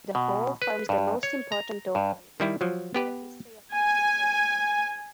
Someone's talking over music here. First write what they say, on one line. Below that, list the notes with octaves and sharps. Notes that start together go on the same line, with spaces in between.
The whole forms the most important authority for the history of contemporary oratory.
B2
B4
G2
C#5
A#5
G2
D#3 G3 E4
F3 F#3
B3 G4 B4
G#5